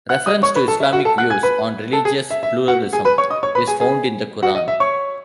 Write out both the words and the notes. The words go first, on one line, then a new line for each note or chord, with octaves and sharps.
Reference to Islamic views on religious pluralism is found in the Quran.
F#5 F#6
D#5 D#6
C#5 C#6
B4 B5
A4 A5
E5
F#4 F#5
A4 A5
F#5 F#6
G#5 G#6
B4 B5
A4 A5
G#4 G#5
E5
E5
F#4 F#5
G#4 G#5
B4 B5
C#5 C#6
D#5 D#6
C#5 C#6
B4 B5
G#4 G#5
G#4 G#5
F#4 F#5
D#5
E5
C#5 C#6